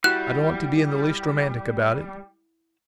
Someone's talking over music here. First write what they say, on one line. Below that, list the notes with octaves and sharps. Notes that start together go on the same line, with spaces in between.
I don't want to be in the least romantic about it.
G3 E4 F#4 F#6